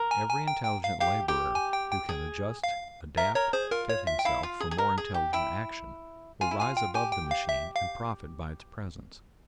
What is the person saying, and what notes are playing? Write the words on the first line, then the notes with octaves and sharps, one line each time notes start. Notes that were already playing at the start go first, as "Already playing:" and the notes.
Every intelligent laborer who can adjust, adapt, fit himself for more intelligent action will rise above the machine and profit by its presence.
Already playing: A#4
G#5
G#5
G5
G5
F5
G4 F5
G4 G5
G#5
G5
G5
G#4
F5
A#4 E5
A#4 C#5
G#4 C5
F4 A#4
C#5
E5
G5
E4 F5
F4
G#4
G#4
A#4
G#4
G4
E4 G5
F4 G#5
E4
F4 G#5
G5
G4 G#5
G5
F5
E5
F5